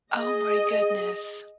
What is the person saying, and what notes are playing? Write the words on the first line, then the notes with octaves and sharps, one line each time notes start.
Oh my goodness.
G#4 D#5